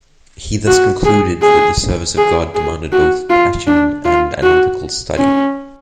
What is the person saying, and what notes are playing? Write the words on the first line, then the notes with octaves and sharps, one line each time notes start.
He thus concluded that the service of God demanded both passion and analytical study.
F#4
G#4
G#4
G#4
G#4
F#4
F4
D4
F4
F#4
C#4